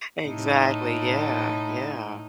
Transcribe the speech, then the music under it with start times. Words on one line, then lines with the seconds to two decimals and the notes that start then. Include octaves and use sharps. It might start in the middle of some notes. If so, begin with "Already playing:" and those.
Exactly, yeah, yeah.
0.24 A2 D#4